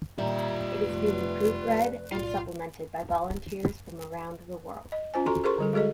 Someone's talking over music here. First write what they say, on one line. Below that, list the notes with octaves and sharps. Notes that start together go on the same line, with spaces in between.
It is being proof-read and supplemented by volunteers from around the world.
A#2 D#3 G3 F4 E5 A#5
F1 A3 B4
B1 A2 F4 D5
D#5
C#4 F4 C5 G#5
F#4 A4 A#5 C6
G#4 A#4 C5 C6 C#6
D3 G3 A4
G#3 F#4 G#4 A4 D#5